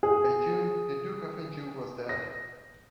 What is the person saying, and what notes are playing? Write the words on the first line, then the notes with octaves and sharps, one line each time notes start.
By June, the Duke of Anjou was dead.
G#4
A#6